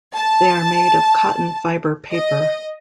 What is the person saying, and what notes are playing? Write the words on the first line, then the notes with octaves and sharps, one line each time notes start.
They are made of cotton fibre paper.
A5
D#5